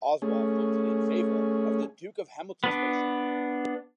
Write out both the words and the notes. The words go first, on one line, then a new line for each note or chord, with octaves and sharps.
Oswald voted in favour of the Duke of Hamilton’s motion.
A3 C#4 G#4
B3 D4